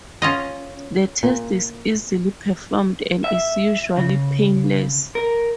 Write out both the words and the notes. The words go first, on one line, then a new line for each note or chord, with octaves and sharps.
The test is easily performed and is usually painless.
C#4 F4 D#5
A#2
E5
C#3
A#4